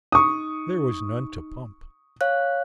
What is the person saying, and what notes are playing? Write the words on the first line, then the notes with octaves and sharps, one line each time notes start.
There was none to pump.
D#4 C#6 D#6
C#5 F5 F#6